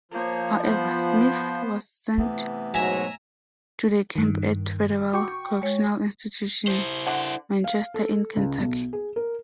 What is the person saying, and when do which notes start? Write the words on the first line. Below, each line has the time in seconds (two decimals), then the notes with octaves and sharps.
However, Smith was sent to the camp at Federal Correctional Institution, Manchester in Kentucky.
0.12 F3 A#3 C#5
0.64 B3 C5
2.18 C3 E3 A3 B3
2.74 G#2 B2 F#3 E5 G#5 A#5
4.16 G2 D#3
5.13 F#4 G5 C#6 D6
5.62 G#3 C#5
6.68 E4 C5
7.07 D3 F#5
7.64 F5
7.94 A4
8.37 C#2
8.58 B1
8.93 G#4
9.16 A#4